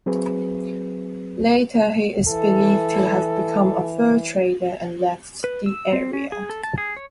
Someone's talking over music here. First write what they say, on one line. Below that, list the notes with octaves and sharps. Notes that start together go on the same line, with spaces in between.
Later, he is believed to have become a fur trader and left the area.
F#3 C4 G#4 B4
E3 A4
B4
E6
C4
C#4
G#4
A4
A5
G#4
C#5